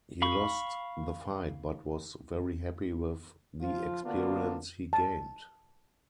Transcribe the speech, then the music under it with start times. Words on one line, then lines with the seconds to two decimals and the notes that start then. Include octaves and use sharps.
He lost the fight but was very happy with the experience he gained.
0.22 F5 B5 C#6
3.61 F3 F4
4.04 D3 A#3 B3 D4 F4 F#4
4.93 A5